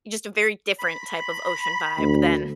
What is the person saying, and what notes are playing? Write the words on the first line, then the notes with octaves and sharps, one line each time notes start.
just a very different type of ocean vibe than
B5
D2